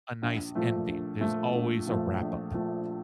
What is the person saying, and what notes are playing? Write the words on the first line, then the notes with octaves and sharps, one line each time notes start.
a nice ending, there's always a wrap-up,
A#1
A#2 F3 A3
A#1
A#2 F3 A3
A#1
A#2 F3 A3
A#1
A#2 F3 A3